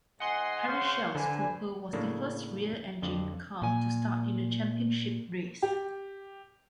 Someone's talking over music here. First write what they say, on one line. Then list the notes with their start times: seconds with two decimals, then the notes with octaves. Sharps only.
Harry Schell's Cooper was the first rear-engined car to start in a championship race.
0.20 G#2 D#5 F#5 G#5 C6
0.67 C#3 C#4 C5
1.15 D3 B4 C5 G#5
1.93 A2 C#3 A#3 D4 A4
3.02 F2 D3
3.62 A#2 G#5
5.62 G4